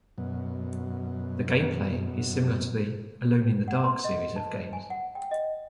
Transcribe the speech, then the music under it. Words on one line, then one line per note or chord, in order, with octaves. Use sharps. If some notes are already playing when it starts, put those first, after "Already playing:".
The gameplay is similar to the "Alone in the Dark" series of games.
F#2 B2
F#5
C6
D#5
A5
C5
G#5
F#5
G5
D#5